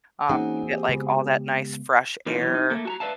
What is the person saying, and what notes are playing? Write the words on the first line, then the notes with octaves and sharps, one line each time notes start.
um, you get, like, all that nice fresh air
E3 A#3 C4 C#4 D#4 F#4 G#4 F#5
G4
C#3 G#3 B3
E3 A#3 B3 C#4 D#4 F4
B2 E3 F#3
D#4
A3 A#3
F#4 A5 A#5
B4 D5 E5 F5 A5